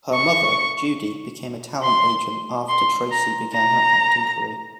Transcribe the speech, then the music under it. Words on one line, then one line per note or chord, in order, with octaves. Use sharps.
Her mother, Judy, became a talent agent after Tracie began her acting career.
C#6
C6
C6
A#5
A#5